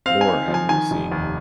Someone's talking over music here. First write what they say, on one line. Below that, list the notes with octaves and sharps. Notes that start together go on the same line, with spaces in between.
Lord, have mercy.
C4 F5
G#5
D#4
F3
G#5
D#3 G#5
F1
D#2